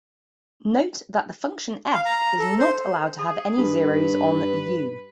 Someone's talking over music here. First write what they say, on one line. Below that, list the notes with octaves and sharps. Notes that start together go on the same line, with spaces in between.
Note that the function "f" is not allowed to have any zeros on "U".
F5
A#5
A4
C5
G#4
G2 B4